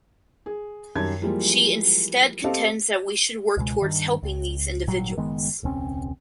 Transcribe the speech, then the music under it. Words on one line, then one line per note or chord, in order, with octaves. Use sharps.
She instead contends that we should work towards helping these individuals.
G#4
F#2 D#3 G3 A5 G#6
E3 F3 G3 G#3 A#3
C4 G4 A4 D#5 F5 A5
C#2 B2 G#3
G2 D#3
C#2
G#1 A#2 F#3 G3
F#1 D#3 G#3 B3
E1 C#2 C4 C#4